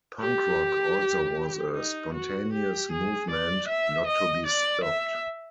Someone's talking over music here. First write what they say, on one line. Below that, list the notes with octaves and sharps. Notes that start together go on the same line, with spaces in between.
Punk rock also was a spontaneous movement, not to be stopped.
G4
D#4
F#4
G4
G#4
D5
E5
D#5
D5
E5